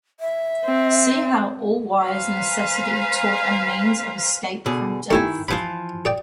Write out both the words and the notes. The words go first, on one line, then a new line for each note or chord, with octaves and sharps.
See how all-wise necessity taught a means of escape from death!
E5
C4
B4 C5 F5 G#5 A#5
B2 D3 G#4
D#3 A3 E4 G4 G#5
E3 F3 F4 B5 D#6
G#4 D5 G5